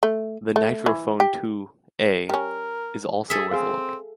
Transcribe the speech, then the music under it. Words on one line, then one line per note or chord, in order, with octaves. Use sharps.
The "NitroPhone two a" is also worth a look.
A3
A3
E3
G4
G3 C#4 A#4
G#4 A4 E5
C4 G#4 F5